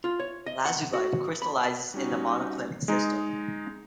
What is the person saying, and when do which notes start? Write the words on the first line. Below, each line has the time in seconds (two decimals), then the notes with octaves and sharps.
Lazulite crystallizes in the monoclinic system.
0.04 F4
0.20 C#5
0.46 D#5
0.65 F#5
0.93 F#4
1.42 B5
1.94 G3 C#4 D#4 F#4
2.88 G#3 D#4